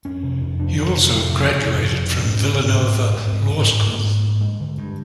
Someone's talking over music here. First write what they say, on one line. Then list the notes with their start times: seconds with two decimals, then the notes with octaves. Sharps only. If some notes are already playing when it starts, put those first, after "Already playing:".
He also graduated from Villanova Law School.
0.05 F2 C#4
0.23 C3
0.41 F2
0.59 C3 D4
0.77 F2
0.96 C3
1.14 F2
1.31 C3
1.50 F2
1.69 C3
1.86 F2
2.05 C3
2.23 G#2 C#4
2.41 G#2
2.60 G#2
2.77 G#2 C4
2.96 G#2
3.14 G#2
3.32 G#2
3.51 G#2
3.69 G#2
3.87 G#2 A#3
4.05 G#2
4.23 G#2
4.41 G2 G#3
4.60 D3
4.78 G2